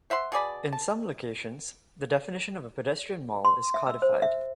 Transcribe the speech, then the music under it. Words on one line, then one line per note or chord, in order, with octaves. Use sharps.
In some locations, the definition of a pedestrian mall is codified.
C5 E5 F#5 C6
B2 G#4 D5 B5
A5
C6
E5
E6
C5
E5